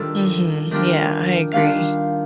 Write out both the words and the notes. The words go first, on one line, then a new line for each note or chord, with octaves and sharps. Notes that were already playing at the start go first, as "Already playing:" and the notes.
Mhm. Yeah, I agree.
Already playing: D#3 G3 D4 F4 A4
D#3 G3 D4 F4
D#3 G3 D4 F4 F5